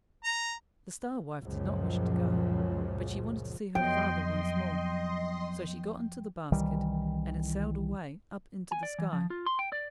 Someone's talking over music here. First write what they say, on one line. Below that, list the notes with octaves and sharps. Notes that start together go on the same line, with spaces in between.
The Star-wife did not wish to go, but she wanted to see her father once more, so she got into the basket and it sailed away up into the sky.
A#5
C#2 F#2 A#2 C#3 F3
F2 F3 F#3 B3 D#5 G5 C6
C2 D#3 E3 G3
G#5
D5
E3
F3
F4
C6
G5
D5